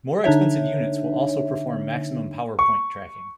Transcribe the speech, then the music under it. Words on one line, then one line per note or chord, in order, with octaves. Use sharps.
More expensive units will also perform maximum power point tracking.
D3 D4 D#4 C#5 E5
C#6